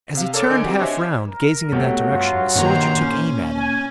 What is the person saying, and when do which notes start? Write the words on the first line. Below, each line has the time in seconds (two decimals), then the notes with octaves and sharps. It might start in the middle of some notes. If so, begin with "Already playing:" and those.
As he turned half round, gazing in that direction, a soldier took aim at him.
0.15 C3 F5
0.34 A4 A#4 C#5 D5 D6
0.50 D3 D#4 G#5 D7
0.64 C4 F#4 G4 D5
0.79 D4 C5 C#5 D#5 E5 G#5
1.28 A#4
1.73 B2 F#3 G3 A3
2.12 G2 F4
2.56 G2 A#2 D#3 C5 A#5
2.99 C#4
3.55 G#5